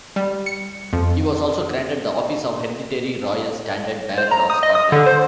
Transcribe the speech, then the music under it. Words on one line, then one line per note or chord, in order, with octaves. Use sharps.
He was also granted the office of Hereditary Royal Standard-Bearer of Scotland.
G3
C#7
F2
C5
A#5
D#6
D#5
D#6
D3
C5